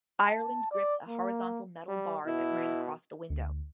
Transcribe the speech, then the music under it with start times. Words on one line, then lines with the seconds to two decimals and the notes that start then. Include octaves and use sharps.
Ireland gripped a horizontal metal bar that ran across the window.
0.24 A5
0.72 D5
1.08 A#3
1.88 G3
2.26 B2 E4
3.30 D2